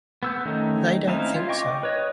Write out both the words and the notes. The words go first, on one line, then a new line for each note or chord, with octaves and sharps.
They don't think so.
B3 E6 G6
D#3 A3 C#4 D#4
C4 C#4 D#4 E4 F5
F4
D#5 G5 C#6 D6
B4 C#5 D#5